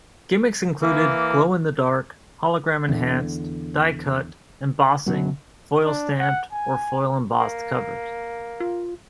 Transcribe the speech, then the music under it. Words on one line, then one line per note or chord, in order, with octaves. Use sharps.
Gimmicks included glow-in-the-dark, hologram-enhanced, die-cut, embossing, foil stamped or foil-embossed covers.
E3 A#3
E2 D3
F#1 F#2 B2 F#3
D4
F#5
G#5
A#3
F4